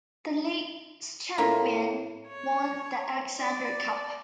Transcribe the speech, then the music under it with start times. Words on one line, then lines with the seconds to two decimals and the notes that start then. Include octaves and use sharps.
The league's champion won the Alexander Cup.
1.38 A2 A#3 E4 F4
2.28 C#5
3.40 D5